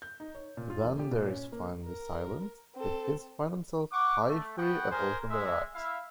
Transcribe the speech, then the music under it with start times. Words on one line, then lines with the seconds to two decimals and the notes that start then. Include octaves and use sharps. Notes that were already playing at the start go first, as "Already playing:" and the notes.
When there is finally silence, the kids find themselves tie-free and open their eyes.
0.02 G6
0.20 D#4
0.35 C#5
0.57 A#2
0.70 F4
0.84 E1
0.99 G4
1.11 A#2
1.27 C#4
1.52 A#3
1.86 A#4
2.76 C4 A4
3.92 F#5 C#6 D6
4.27 A3
4.58 B3 F#4 F#5 G5
4.91 G#4 A#4 C5 G#5
5.29 G#3 E5
5.75 E4 E5 F5